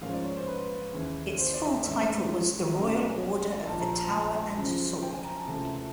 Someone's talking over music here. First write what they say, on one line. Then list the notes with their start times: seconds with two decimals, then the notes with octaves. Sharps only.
Its full title was "the Royal Order of the Tower and Sword".
0.01 G#2 F3 A#3 C#4 F5
0.13 D5
0.24 C#5
0.36 C5
0.47 B4
0.93 D#2 C#3 E3
1.38 C5
1.54 D5
1.63 E5
1.68 D#5
1.83 G#2 E3 G#3 C#4 E5
2.74 B1 B2 F#3 A#3 C#4 D#5
2.86 D5
2.97 D#5
3.09 G#5
3.65 A#1 A#2 F3 A5
3.81 A#5
3.96 A5
4.12 G#5
4.56 F#2 C#3 F3
5.02 G5
5.13 G#5
5.24 A#5
5.36 A5
5.47 C#2 C3 E3 A3 A5